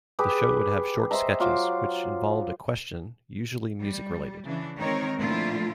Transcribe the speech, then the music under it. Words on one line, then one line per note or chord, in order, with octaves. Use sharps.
The show would have short sketches, which involved a question, usually music-related.
G4 G#4 B4 D6
C5 D#5 E5 A#5
F#3 F4 D6
G3
C#3 E3 D4
D#3 G#3 C4 D#4 A#4 C#5
A#2 D3 F3 A3 E4 F4